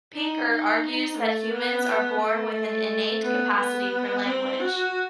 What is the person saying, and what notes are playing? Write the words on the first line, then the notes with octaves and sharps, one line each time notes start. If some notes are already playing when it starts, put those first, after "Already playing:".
Pinker argues that humans are born with an innate capacity for language.
D#4
D#4
A3
B3
A3
B3
B3
C4
F#4